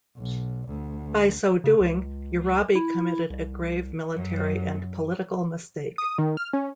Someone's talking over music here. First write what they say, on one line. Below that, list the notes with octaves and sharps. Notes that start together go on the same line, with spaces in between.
By so doing, Urabi committed a grave military and political mistake.
B1
D2
C#3
C#2
E4
C2
F#2
D#6
D#3
F6
C#4